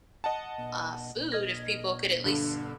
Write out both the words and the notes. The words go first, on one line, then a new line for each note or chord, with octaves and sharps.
uh, food if people could at least
D#5 F#5 A5
D#5 F6 G#6 A#6
G2 D3